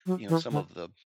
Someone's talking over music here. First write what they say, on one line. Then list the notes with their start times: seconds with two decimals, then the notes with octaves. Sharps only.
you know, some of the,
0.06 F#3
0.29 E3
0.51 D3